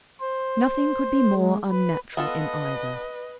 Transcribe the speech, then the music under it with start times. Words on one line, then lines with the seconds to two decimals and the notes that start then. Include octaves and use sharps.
Nothing could be more unnatural in either.
0.20 C5
1.35 G#3
1.70 B4
2.17 B3 F4 A4 B4 D#5